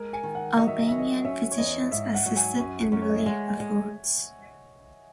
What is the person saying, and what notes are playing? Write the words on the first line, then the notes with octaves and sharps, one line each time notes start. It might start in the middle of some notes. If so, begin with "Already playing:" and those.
Albanian physicians assisted in relief efforts.
Already playing: G#3 A#4
G#5
D#3
F#5
F#3 D#5
E5
D#5
F#3 E5
D#5
C#4 E5
C#5
E2 D#5
G#2 E5
F#5
F#3
G#5
F#2
F#2
C#5
D#5
E5
G#3 F#5
G#5
G#3